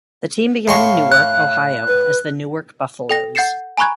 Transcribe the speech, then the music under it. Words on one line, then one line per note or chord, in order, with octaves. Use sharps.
The team began in Newark, Ohio as the Newark Buffalos.
A2 F5 C6 C#6
F#6
B4
A4 G5 A#6
F#5 G6 A6 C7 C#7 E7
G#5 A#5 B5 C#6 F#6 G#6